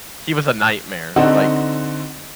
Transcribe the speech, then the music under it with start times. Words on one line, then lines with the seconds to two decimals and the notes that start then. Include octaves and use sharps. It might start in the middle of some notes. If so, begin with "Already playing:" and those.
he was a nightmare, like,
1.16 D3 C4 D#4 F#4 A4